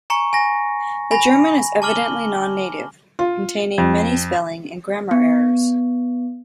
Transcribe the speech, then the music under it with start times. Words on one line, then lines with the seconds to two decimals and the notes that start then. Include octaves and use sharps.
The German is evidently non-native, containing many spelling and grammar errors.
0.10 G#5 A#5 C#6 C#7
0.33 G#5 A#6
1.11 G#5 B5 A#6
1.82 A5 D6 F6 F#7 G7
3.19 F4
3.78 F2
5.11 B3